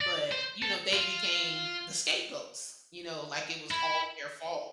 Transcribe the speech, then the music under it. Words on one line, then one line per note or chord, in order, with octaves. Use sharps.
But, you know, they became the scapegoats, you know, like, it was all their fault.
D5
C5
A4
F4
E4